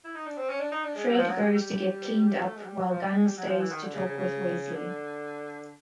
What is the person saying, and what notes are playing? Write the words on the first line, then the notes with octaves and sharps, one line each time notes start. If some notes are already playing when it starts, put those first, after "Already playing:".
Fred goes to get cleaned up while Gunn stays to talk with Wesley.
E4
D#4
D4
C4
C#4
D4
D#4
D4
G#3
G3
F#3
F3
F#3
G3
G3
A3
G#3
F#3
G3
F#3
F3
G3
G#3
G3
F#3
F3
E3
D#3
D3
C#3
C#3
C#3
D3